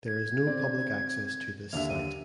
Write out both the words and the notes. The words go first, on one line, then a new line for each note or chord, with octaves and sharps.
There is no public access to this site.
G#6
C4 D5
D#2 D3 E5 F7
D#7